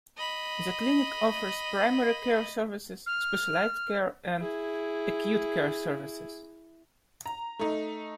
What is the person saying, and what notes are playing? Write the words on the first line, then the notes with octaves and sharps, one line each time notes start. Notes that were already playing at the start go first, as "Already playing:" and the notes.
The clinic offers primary care services, specialized care, and acute care services.
D#5 B5
F6
E4 G#4
A#5
A3 D#4